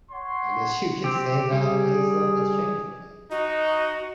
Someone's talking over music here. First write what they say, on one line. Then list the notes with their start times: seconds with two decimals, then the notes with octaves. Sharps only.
I guess you could say, that is, uh it's changing, man,
0.10 C#5 F#5 C6
1.04 C4 G4
1.52 G3 G#4
3.31 D#4 F#4 D#5